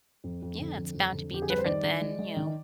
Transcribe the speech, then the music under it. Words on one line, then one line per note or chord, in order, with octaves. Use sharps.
Yeah, it's bound to be different than, you know,
F2
F2
D3
F2
F2
D3
F2 G4
G#4
G3 B4
C5
D#3 D5
D#3
G#3
G#3
D#3